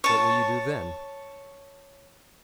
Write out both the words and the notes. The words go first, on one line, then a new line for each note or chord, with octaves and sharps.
"What will you do then?"
C#5 A5